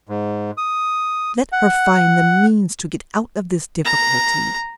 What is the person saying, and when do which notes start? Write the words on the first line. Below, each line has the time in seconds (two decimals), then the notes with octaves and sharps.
Let her find the means to get out of this difficulty.
0.09 G#2
0.57 D#6
1.52 F#5
3.85 A#5